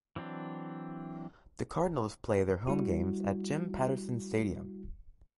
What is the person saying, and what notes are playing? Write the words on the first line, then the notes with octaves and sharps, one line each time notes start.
The Cardinals play their home games at Jim Patterson Stadium.
E3 F#3 C4 D4
G3 E4 F#4